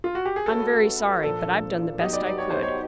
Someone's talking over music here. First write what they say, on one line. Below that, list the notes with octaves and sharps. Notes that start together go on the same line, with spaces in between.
"I'm very sorry; but I've done the best I could."
F4
F#4
G4
G#4
A3 C#4 F#4 A4 B4
A#2 F3 A#3 D4 A4
F#3 B3 D#4 G4 D#5
D5
D5
C#5
C5
C#5